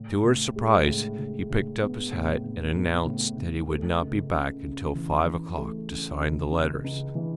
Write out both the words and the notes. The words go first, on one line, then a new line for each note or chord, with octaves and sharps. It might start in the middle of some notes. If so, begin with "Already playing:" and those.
To her surprise he picked up his hat and announced that he would not be back until five o'clock to sign the letters.
Already playing: A2
A2
G#3
A2
A2
A2
B3
A2
A2
B3
A2
A2
A3
C#2
C#3
C#3
E3
E3
A3
C#3
C#2
C#2
C#2
E3